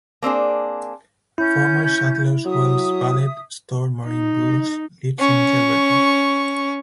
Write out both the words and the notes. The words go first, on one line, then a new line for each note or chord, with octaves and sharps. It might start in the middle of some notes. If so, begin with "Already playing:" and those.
Former Sadlers Wells Ballet star Maureen Bruce lives in Yelverton.
A#3 C4 D4 G#4
C#4 E4 G6
F#3 E5 D#6
D#4
C#4 C#6